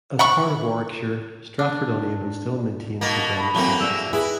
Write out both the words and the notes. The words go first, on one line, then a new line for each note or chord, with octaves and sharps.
As part of Warwickshire, Stratford-on-Avon still maintains the grammar school system.
F#5 B5 C#6
D4
B2 A#3 A5
B5
E2 F#3 A3 A#3 C4
G3 F#4 E6
E4 G#4 B4